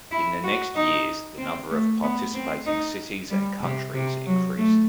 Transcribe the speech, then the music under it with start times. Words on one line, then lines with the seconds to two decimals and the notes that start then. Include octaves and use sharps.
In the next years the number of participating cities and countries increased.
0.11 E4
0.43 F#4
0.75 D#4
1.38 C4
1.71 A3
2.03 B3
2.35 C4
2.66 D#4
3.30 G3
3.62 C3
3.94 C3
4.26 F#3
4.57 A3